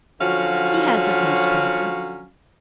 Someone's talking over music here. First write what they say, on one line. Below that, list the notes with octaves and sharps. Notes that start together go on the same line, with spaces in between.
He has his newspaper.
D3 F3 F#3 C#4 F#4 F5